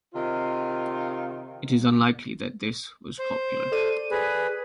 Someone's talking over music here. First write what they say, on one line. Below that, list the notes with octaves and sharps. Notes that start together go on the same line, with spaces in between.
It is unlikely that this was popular.
C3 D#3 F4
C5
A4 D5 D#7
G#4 B4